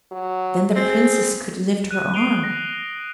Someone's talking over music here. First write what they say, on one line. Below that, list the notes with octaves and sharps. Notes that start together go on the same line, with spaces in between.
Then the Princess could lift her arm.
F#3
C4 G#4
F#6 D#7
D#6 C7 D7 D#7 F7 G7
A#6